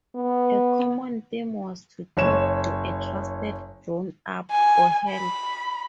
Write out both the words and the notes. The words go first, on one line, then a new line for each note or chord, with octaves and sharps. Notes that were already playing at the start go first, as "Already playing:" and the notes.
A common theme was to talk to a trusted grown up for help.
B3
F#1 C#5 E7
G#5
B5